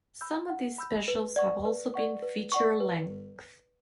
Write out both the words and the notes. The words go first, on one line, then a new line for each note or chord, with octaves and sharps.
Some of these specials have also been feature-length.
B5 E6 G6
F#5
B5 E6 G6
B4
D5 F#5 C#6
B4
D5 F#5 C#6
B4
D5 F#5 C#6
B4